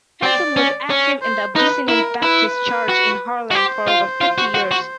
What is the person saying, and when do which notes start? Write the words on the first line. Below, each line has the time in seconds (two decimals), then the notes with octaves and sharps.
Henson was active at the Abyssinian Baptist Church in Harlem for over fifty years.
0.23 C4 D5
0.57 C#4
0.90 C#4
1.22 C5
1.56 D#4 B4
1.89 E4 A#4
2.22 E4 B4
2.88 F#4
3.51 F#4
3.55 G4 C5
3.88 F4
4.21 F4
4.38 F#4
4.54 F#4
4.71 F#4